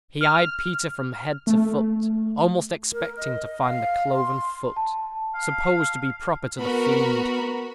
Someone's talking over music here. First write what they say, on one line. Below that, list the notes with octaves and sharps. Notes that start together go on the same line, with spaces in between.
He eyed Peter from head to foot, almost expecting to find the cloven foot, supposed to be proper to the fiend.
F6
A3
A#4
D#5
F5
C6
A5
F5
B3 F#4 A#4 B5